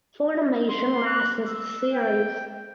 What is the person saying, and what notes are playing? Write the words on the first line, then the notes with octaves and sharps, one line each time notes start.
Funimation licensed the series.
C6
F#6
E6
G5